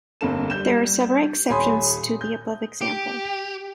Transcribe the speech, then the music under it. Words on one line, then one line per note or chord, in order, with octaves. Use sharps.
There are several exceptions to the above example.
G1 F2 A#3 A4 E7
G3 G6 E7
D#1 C#5 G#5 B5 C6 D#6
G6
G4